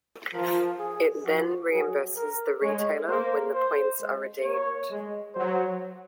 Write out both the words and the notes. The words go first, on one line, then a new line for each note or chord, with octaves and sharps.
It then reimburses the retailer when the points are redeemed.
F3 A#4
G#4
F3 F#4
F#3 G#4
A#4
G#3 C#5
A#3 C5
C5
G#3
A#3 C#5
G#3
F#3 C5